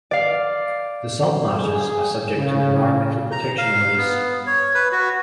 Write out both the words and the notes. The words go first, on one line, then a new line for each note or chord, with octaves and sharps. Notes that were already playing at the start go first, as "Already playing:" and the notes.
The salt marshes are subject to environmental protection orders.
D5 F5
G#4
C#3
A#5
F5
B3
C#5
B4
F#4